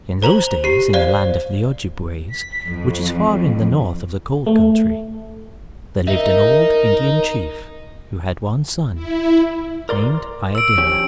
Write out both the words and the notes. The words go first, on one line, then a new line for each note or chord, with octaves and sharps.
In those days in the land of the Ojibways, which is far in the north of the cold country, there lived an old Indian chief who had one son, named Iadilla.
C5 A#5 F7 F#7
G4 C7
C5 D5 F5
B6
F2
A3
D#4 A#4 D#5 E5
E4
A#4 D5 C6
E6 D7
F3 C#4 G4